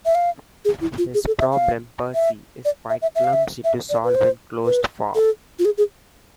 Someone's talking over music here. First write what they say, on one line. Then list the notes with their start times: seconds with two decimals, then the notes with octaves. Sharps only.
This problem "per se" is quite clumsy to solve in closed form.
0.06 E5
0.15 F5
0.65 G#4
0.81 E4
0.98 F4
1.14 G#4
1.27 A4
1.40 E5
1.52 F5
2.14 E5
2.65 D5
2.90 E5
3.02 E5
3.15 E5
3.24 F5
3.33 E5
3.64 E5
3.90 D5
4.04 B4
4.15 C5
4.65 B4
5.15 A4
5.59 F4
5.65 G#4
5.78 G#4